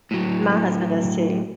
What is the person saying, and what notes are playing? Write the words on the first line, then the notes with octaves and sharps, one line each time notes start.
My husband does too.
A2 F#3